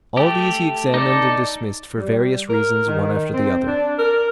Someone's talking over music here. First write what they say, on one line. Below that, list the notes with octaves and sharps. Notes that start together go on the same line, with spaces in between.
All these he examined and dismissed for various reasons one after the other.
A3 G4
D#4 A4 D5
G3
A#4
D#3
C4
D4
A#4